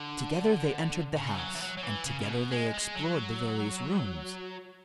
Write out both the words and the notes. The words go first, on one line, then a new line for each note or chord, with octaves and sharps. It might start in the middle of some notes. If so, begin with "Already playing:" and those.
Together they entered the house and together they explored the various rooms.
Already playing: D3
C#3
E3
F#3
E3
F#3
F#3
E3
C#3
C#3
B2
G#3
G#3
F#3